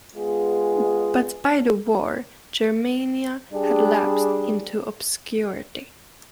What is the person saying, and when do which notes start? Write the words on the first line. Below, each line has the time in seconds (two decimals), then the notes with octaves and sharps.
But by the war, "Germania" had lapsed into obscurity.
0.14 G#3 B3 F4 G#4
3.51 G3 D4 G#4